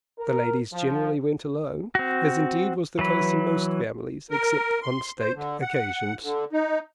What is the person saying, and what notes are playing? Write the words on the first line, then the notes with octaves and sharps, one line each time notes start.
The ladies generally went alone; as indeed was the case in most families, except on state occasions.
A#4
F3
C4 F#4
E3 F#3 B4
A#4
C6
C5
D3
F#5
D3
D#4